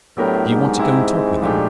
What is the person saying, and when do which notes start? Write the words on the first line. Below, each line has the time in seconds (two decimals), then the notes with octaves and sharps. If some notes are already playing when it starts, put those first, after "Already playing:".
"Do you want to go and talk with them?"
0.17 A2 F#3 B3 D4 G4 A#4
0.48 G#2
0.78 G#3 C4 E4 G4
1.41 A#2 F3 A3 D4 G4